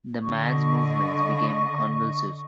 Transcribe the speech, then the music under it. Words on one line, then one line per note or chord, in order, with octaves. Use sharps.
The man’s movements became convulsive.
D3 D#5 C#6